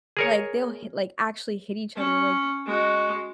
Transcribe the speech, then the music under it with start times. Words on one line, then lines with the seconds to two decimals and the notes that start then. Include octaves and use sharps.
like, they'll hit like, actually hit each other, like
0.17 G#4 A#4 C#5
1.96 C#4
2.66 G#3 F#4